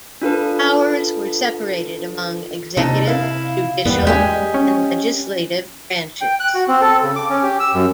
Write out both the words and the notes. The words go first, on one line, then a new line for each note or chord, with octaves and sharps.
Powers were separated among executive, judicial, and legislative branches.
D4 F4 A4 B4
D#2 C3 D#4 A4
E4 F5
E2 G3 B3
G#3 G4 D#5 G#5
C#4
G5
F#6
F#4
C4
A4
C#3
D6
C#4
G4
E6
F#2